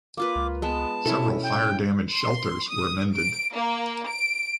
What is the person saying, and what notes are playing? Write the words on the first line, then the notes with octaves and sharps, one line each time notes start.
Several fire-damaged shelters were mended.
A#3 F4 B4 D6
C#2
G#3 B3 A5
B2 C#4 E4 A4
G5
C6
D#6
D7
A#3
D7